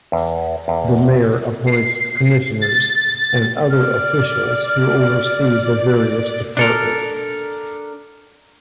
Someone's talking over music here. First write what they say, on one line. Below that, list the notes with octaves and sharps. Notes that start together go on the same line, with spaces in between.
The mayor appoints commissioners and other officials who oversee the various departments.
E2
E2
C7
A6
D5 F6
D4 A4 A#4